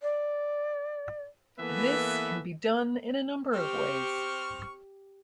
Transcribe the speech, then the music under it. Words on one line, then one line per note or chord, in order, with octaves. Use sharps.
This can be done in a number of ways.
D5
E3 A#3 B3 A4 B4 E5
C4 G4 C#6 F6